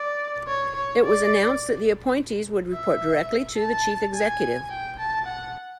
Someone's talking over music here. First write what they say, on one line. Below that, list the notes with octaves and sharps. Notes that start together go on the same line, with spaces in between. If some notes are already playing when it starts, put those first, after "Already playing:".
It was announced that the appointees would report directly to the chief executive.
Already playing: D5
C#5
C#5
D5
E5
A5
G#5
G5
A5
F#5